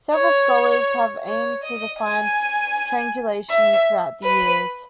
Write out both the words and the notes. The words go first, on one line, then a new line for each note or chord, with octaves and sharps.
Several scholars have aimed to define triangulation throughout the years.
C#5
C#5
D#5
G#5
E5
B4